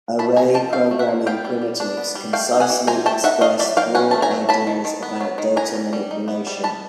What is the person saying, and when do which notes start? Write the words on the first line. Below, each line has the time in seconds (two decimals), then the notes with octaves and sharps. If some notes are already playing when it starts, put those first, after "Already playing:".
Array programming primitives concisely express broad ideas about data manipulation.
0.19 A3 A5 B5
0.36 F3 G#5 A#5
0.54 F3 G5 A5
0.72 C#4 F5 G5
0.91 A3
0.99 E5 F#5
1.08 F3
1.26 B3 F5 G5
1.45 G3
1.62 G3
1.80 D4
1.97 B3
2.15 G3
2.33 A3 F5 G5
2.52 D#4
2.60 F#5 G#5
2.70 E3
2.87 C4 G#5 A#5
3.06 A3 G5 A5
3.24 D#4 E5 F#5
3.41 A3 D#5 F5
3.59 F#3 D5 E5
3.77 F#3 F5 G5
3.95 C#4 F#5 G#5
4.11 A3 A5
4.22 G#5 A#5
4.31 F#3
4.49 F#3 A5 B5
4.67 D#3
4.85 D#3
5.03 B3
5.21 F#3
5.38 D#3
5.56 B3 G#5 A#5
5.75 G3
5.93 G3
6.11 D#4
6.28 B3
6.47 G3
6.64 B3 A5 B5